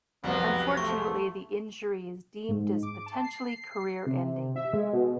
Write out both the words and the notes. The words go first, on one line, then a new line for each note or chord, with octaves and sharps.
Unfortunately, the injury is deemed as potentially career-ending.
C2 F2 C3 F#3 A#3 B3
A3 C#6
G#2
D6
A5
C7
C3
E5
G#3
B2